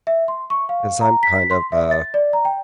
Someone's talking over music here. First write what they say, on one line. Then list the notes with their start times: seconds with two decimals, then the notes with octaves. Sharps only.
'cause I'm kind of a
0.07 E5
0.28 C6
0.50 C#6
0.69 F5
1.01 A#5
1.23 B6
1.51 C6
1.72 E5
1.91 A6
2.14 D5
2.33 A#5
2.45 G5